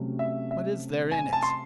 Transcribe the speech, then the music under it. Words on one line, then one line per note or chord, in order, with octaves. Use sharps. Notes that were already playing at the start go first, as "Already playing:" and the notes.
What is there in it?
Already playing: C3 F#3 A3 C#4
E5
E5
G#5
A5
C6